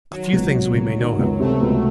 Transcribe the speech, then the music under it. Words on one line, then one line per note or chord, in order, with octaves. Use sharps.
A few things we may know, however.
D#3 F#3
C#2
C3
C#2
D#3
C#2
C3 A3
C#2